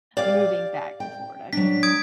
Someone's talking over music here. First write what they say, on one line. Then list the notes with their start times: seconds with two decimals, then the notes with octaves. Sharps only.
moving back to Florida 'cause
0.17 G4 D5 F5
1.00 G5
1.53 F#3 D4 B6
1.83 D#6 G#6 D7